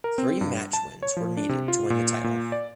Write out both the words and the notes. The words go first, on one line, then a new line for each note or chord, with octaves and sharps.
Three match wins were needed to win the title.
A#4
C4
G2
A5
C#5
F3
D4
C3
F4
A#2
A#2
D5